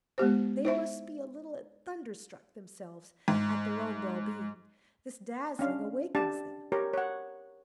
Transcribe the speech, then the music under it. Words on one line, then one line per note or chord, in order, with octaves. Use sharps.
They must be a little thunderstruck themselves at their own well-being; this dazzling awakens them.
G#3 B3 G4 C5
D#4 C5 E5
G#2
C#4 D4 F5
D4 G4 A5
G4 A#4 C#5
C#5 F#5